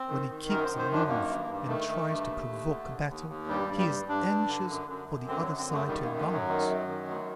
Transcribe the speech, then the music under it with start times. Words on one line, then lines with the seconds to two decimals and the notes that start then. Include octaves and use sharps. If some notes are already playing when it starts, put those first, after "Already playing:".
When he keeps aloof and tries to provoke a battle, he is anxious for the other side to advance.
Already playing: C4
0.08 D#3
0.29 D#3
0.49 F#2 A#4
0.63 D#3 C5
0.78 C5
0.89 F#2 D4
1.09 D#3 A#3
1.29 G2
1.49 G2
1.68 D#3 A3
1.88 D#3
2.08 G2
2.29 D#2
2.48 D#2
2.69 D3
2.88 D#2
3.08 D#2
3.29 D#2
3.48 G2 G3
3.69 G2
3.78 G3
3.88 G2
4.08 G2 D4
4.28 G2
4.48 D3
4.69 F#2
4.88 F#2
5.08 F#2
5.28 D3 C4
5.43 F#3
5.48 F#2
5.58 C4
5.68 F#2
5.73 A3
5.88 D#3 G3
6.03 F#2 A#3
6.18 A3
6.27 F#2
6.33 F#3
6.48 D#3
6.68 F#2
6.87 D#3
7.08 D2